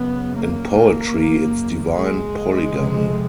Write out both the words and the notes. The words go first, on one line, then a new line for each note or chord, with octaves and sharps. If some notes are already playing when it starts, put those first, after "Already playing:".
In poetry it's divine polygamy.
Already playing: F#2 C#3 B3
A#3
F#2 C#3
G#3
F2 C3